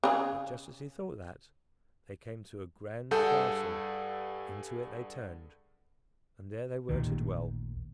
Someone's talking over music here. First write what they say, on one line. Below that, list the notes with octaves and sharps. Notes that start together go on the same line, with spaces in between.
But just as he thought that, they came to a grand castle; into it they turned, and there they were to dwell.
C#3 G#4
G2 G#4 A4 F#5 G6
A1 D#2 A#2 D#3